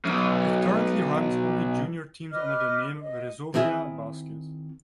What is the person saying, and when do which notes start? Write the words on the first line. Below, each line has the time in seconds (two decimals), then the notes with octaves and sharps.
It currently runs only junior teams under the name Resovia Basket.
0.05 B1 F#2
2.31 B4 D#5 D6 F6
3.00 D#5
3.54 D#3 C4 E4 G#4 G#5